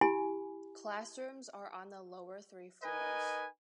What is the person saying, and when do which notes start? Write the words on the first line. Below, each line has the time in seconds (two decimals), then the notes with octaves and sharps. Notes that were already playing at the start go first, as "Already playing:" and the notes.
Classrooms are on the lower three floors.
0.01 E4 G4 G#5 B5
2.83 D#4 A#4 B4 D#5 G#5